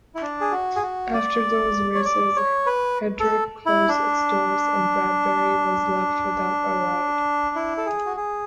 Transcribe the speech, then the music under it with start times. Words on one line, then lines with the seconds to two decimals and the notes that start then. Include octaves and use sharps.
After those races, Hedrick closed its doors and Bradberry was left without a ride.
0.15 E4
0.22 D4
0.41 G#4
0.52 F#4
0.76 G#4
0.83 F#4
1.13 D5
1.95 C#5
2.05 D5
2.36 C#5
2.66 B4
3.20 A4
3.66 E4
3.89 D4
7.56 E4
7.77 A4
7.86 G#4
8.06 F#4
8.17 G#4